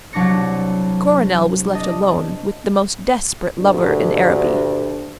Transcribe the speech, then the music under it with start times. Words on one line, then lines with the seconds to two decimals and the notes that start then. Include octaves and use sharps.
Coronel was left alone with the most desperate lover in Araby.
0.13 C2 F#3 D4 D6 A#6 C#7
1.72 D4 D#5
3.59 D2 G2 A#2 D3 D4